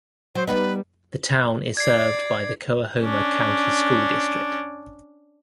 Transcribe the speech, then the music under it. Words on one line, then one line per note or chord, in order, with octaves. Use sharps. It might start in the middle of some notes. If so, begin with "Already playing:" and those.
The town is served by the Coahoma County School District.
F#3 C5
G3 B3 D#4 B4
D5 G#6 C7
C#4 D4